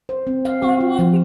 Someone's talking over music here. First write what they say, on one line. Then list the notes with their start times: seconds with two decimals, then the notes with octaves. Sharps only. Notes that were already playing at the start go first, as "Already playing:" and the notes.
on one,
0.09 C5
0.27 C4
0.45 F5
0.63 C4
0.81 F4
0.99 F3